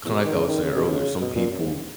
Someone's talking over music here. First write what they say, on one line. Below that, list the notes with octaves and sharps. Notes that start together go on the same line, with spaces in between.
kinda like I was saying earlier, some people
E2
B2
D#3
C#3
D#3
C#3
B2
C#3
B2
A#2
F#2
G#2